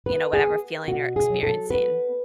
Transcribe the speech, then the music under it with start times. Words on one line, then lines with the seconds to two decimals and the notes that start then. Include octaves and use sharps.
you know, whatever feeling you're experiencing?
0.06 B3 B4
0.33 G#4
0.47 B3
0.88 B2 F#4
1.16 G#4
1.30 F#3
1.43 A4
1.70 B3 B4